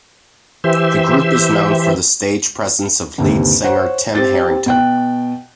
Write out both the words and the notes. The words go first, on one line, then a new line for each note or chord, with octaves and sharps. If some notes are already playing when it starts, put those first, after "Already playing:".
The group is known for the stage presence of lead singer Tim Harrington.
E3 G4 C5 E5
G1 D#2 C3
C5 C#5 F#5
C4 G4 A6
B2 G5 F#6